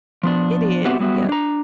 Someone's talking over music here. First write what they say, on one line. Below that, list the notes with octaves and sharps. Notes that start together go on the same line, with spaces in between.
It is, yep.
F3 B3 D4
B3 C4 F#4 G4 E5 F#5
F#3 G3 B3 F#4 E5
D4 A#5